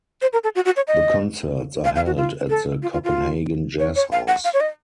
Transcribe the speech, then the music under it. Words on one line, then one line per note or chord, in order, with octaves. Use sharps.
The concerts are held at the Copenhagen Jazz House.
C5
A#4
A4
F#4
F#4
C#5
D#5
F5
F5
F#4
F4
A4
F4
F4
F4
C#5
C#5
F5
F#5
F5
C#5
D#5